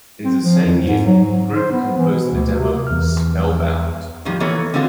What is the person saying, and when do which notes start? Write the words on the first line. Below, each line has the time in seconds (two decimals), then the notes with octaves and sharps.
In the same year, the group composed the demo "Spellbound".
0.25 C4
0.42 F3
0.65 F2
0.85 G#2
1.06 F#3
1.24 G#2
1.54 C5
1.71 B3
1.98 E3
2.11 B2
2.33 D2
2.57 C3
2.87 E2 F6
4.25 A2 D#3 F3 G3
4.40 E3 A#3 B3 A4 C#5
4.74 D3 G#3 C4 F4 F#4